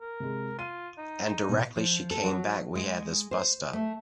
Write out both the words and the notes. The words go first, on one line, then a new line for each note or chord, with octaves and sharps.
And directly she came back we had this bust-up.
A#4
C3 G#3
F4 D#7
D#4
A1 B2
F3
A4
F#3
G#3
C5
A3